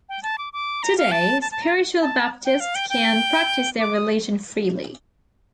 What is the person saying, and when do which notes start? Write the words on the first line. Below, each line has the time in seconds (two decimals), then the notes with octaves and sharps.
Today Spiritual Baptists can practise their religion freely.
0.09 G5
0.23 A5
0.38 D6
0.53 D6
0.83 A#5
0.98 F5
1.12 A5
1.42 A5
1.52 A5
1.62 A#5
2.02 A5
2.45 G5
2.60 F5
2.75 G5
2.90 G5
3.79 D6
3.94 D#6